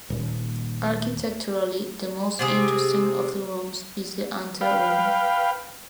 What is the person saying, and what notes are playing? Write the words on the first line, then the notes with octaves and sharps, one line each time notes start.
Architecturally, the most interesting of the rooms is the ante room.
D#1
C3 C4 G#4
B4 F5 G5